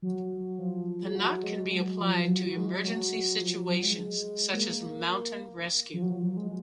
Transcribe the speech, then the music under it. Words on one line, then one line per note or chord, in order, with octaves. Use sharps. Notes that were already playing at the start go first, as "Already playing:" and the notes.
The knot can be applied to emergency situations, such as mountain rescue.
F#3
F3
G#3
F#3
G#3
F#3
F3
F#3
F#3
G#3
F#3
F3
F#3
G#3
A#3
A#3
F3
F#3
F3
F#3
G#3